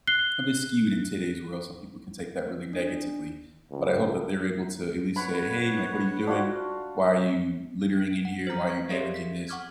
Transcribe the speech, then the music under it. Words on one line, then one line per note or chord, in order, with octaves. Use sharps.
a bit skewed in today's world, some people can take that really negatively, but I hope that they're able to, at least, say, "Hey, like, what are you doing? Why are you littering in here? Why are you damaging this?"
F#6 C7 G7
D4
C#2
B4 C#5 F#5 B5
D4 F4 F#4
F#5
C5 A#5
C#6 G#6
G4 G#4 A#4 D5 E5 F5
G#4 B6
F#5 C#6 D6 F6 G#6